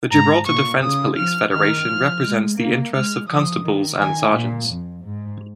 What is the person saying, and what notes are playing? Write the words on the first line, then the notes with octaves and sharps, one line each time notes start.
The Gibraltar Defence Police Federation represents the interests of constables and sergeants.
G#2 A#5
A#2 C#6
C#3 D#6
F3 F6
D#3 F6
F3
G#3
A#3
G#3 F6
F3 D#6
D#3
D#3 G#5
A#2
F2
G#2